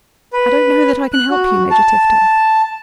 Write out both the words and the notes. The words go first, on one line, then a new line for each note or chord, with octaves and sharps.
"I don't know that I can help you, Major Tifto."
B4
F#6
F#4
A5